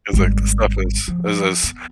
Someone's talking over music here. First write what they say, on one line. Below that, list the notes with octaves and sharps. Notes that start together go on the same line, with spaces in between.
It's, like, the stuff is is is
G#1 G3
F3
B3